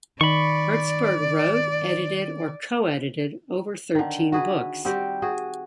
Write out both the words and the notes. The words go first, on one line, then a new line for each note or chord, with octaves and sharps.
Hertzberg wrote, edited or co-edited over thirteen books.
D#3 D5 B5 C#6
D3 D#3
F#4 G#4 B4
G3 C4 F#4 G4
F#4 G#4